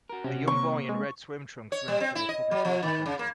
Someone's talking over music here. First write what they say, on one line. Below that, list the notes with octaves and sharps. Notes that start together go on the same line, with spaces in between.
A young boy in red swim trunks runs through a public water fountain.
F#4 A#4
C3 C#4 F#4
A#3 C4 C#6
G#3
C#5
G3
C4
E4
D#5
F#3
F3
D#3
C#3
A#3